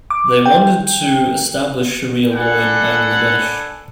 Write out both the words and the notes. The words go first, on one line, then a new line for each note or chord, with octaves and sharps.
They wanted to establish sharia law in Bangladesh.
D6
G5
D4 A4 D5 F#5 G#5 B5